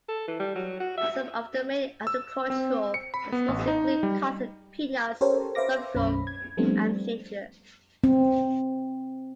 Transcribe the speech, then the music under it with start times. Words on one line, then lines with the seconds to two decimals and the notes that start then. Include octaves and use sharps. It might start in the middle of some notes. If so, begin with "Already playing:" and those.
Some of the main agricultural exports include: cotton, peanuts, sorghum, and ginger.
0.08 A4
0.28 E3
0.40 G3
0.55 F#3
0.80 F#4
0.97 E5
2.07 E6
2.50 C4
2.94 C#7
3.14 B5
3.32 B3
3.48 A1
3.67 D#4
4.03 G3
5.21 C#4 G4 A4 A#4 C5 C#5
5.55 B4 C5 E5 F5 D6 A#6
5.95 B1 F#2 C#4 B5
6.27 G#6
6.57 F3 G3 A3 B3 C4 D4
8.04 C4